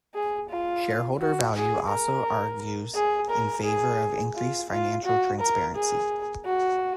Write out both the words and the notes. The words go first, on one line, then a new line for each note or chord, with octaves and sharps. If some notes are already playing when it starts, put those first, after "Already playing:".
Shareholder value also argues in favor of increased financial transparency.
G#4
F4
F#4
G#4
A#4
G#4
A#4
G#4
F4
F4
F#4
A#4
G#4
F#4